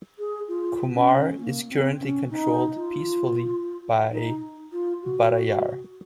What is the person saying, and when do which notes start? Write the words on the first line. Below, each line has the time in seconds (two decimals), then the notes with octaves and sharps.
Komarr is currently controlled peacefully by Barrayar.
0.19 G#4
0.48 F4
0.94 C#4
1.39 A#3
1.70 C4
2.00 C#4
2.30 D#4
2.76 F4
4.12 D#4
4.72 F4
5.03 F#4